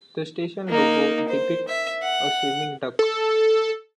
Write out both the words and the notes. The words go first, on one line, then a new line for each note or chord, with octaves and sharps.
The station logo depicts a swimming duck.
A#3 D#4
C5
E5
F#5
A4